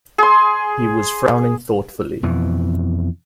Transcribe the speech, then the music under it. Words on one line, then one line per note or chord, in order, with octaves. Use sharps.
He was frowning thoughtfully.
G#4 C6
F2 B2 E3